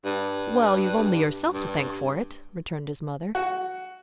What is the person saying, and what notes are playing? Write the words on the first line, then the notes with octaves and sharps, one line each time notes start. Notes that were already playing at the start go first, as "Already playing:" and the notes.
"Well, you've only yourself to thank for it," returned his mother.
G2
G2
F#4